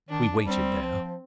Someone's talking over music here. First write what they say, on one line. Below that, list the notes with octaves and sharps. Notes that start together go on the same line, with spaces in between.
We waited there.
D#3 D4
G3 C4
F3